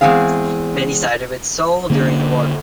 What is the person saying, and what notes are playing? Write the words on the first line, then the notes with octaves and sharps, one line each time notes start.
Many sided with Seoul during the war.
E2 D#3 G#3 C4 G#4 F5
D3 A#3 C#4 D4